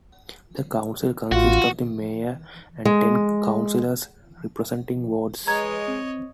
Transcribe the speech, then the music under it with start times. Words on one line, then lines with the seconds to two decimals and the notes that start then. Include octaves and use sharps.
The council consists of the mayor and ten councillors representing wards.
1.32 A1 F4 F#4
2.85 G#3
5.47 G#3 B4 C#5 D#5 A#5 G#6
5.87 C4